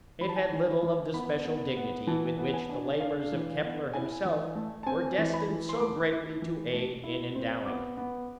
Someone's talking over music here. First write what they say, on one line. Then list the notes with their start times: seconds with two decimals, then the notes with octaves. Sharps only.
It had little of the special dignity with which the labours of Kepler himself were destined so greatly to aid in endowing it.
0.21 E3 B5
0.29 A5
0.36 G#5
0.44 A5
0.53 E3
0.83 E3
1.14 B3 B5
1.45 B3
1.77 B3
2.07 E3 A5
2.38 B3
2.54 G#5
2.69 D4
3.00 D4 F5
3.32 E3
3.62 B3
3.93 E4 G#5
4.25 E3
4.55 A3
4.83 A5
4.86 C4 G#5
5.18 E3
5.34 B5
5.49 E3
5.69 C6
5.80 A3 D6
6.12 E4
6.42 E3
6.73 A3
7.04 E4
7.35 C4
7.66 B3 D6
7.97 B3